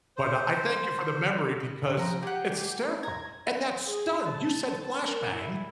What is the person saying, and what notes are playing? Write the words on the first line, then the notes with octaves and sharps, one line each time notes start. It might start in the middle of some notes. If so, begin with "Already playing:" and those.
But, uh, I thank you for the memory because it's hysterical, and that stunned, you said, "flashbang"
C5
E4
F3 G5 A#5
G4 G#4 F#5
A#5 G#6
G#4
A5
A#4
E4